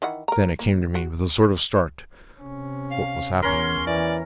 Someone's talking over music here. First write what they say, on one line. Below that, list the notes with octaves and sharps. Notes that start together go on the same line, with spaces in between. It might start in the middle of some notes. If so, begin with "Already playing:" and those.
Then it came to me, with a sort of start, what was happening.
D#3 E3 F#5
A#4 A#5
A#3
F#4
C3 C#4
F5
E2 C#4 A#4 C6
E3 D5